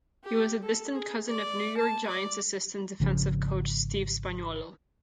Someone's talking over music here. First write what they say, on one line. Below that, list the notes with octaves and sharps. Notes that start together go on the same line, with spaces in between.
He was the distant cousin of New York Giants assistant defensive coach Steve Spagnuolo.
G4
A4
G#4
D5
A5
D5
G#1 C#3 F3